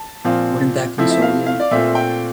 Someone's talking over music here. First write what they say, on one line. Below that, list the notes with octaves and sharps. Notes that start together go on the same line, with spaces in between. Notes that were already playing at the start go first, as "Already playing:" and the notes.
Wouldn't that console you?
Already playing: A5
A#2 F3 C4 F4
F3 A3 C4 E4
E5
F5
F5
D5
A#2 A3 C4 F4 E5
G5